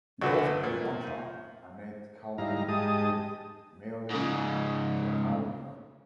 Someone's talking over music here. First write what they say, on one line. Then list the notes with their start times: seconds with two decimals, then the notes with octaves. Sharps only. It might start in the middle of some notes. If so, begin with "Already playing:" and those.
He also had one child, Annette Kalten, with Millie Giammarino.
0.22 A#1 D3 F#4 B4 C#5
0.63 A#2
1.03 D#4
2.38 G#2 G3 D#4 E4 F5 A#5
2.69 G#2 G#3 G4 D#5 A5 D#6
4.11 G#2 C#3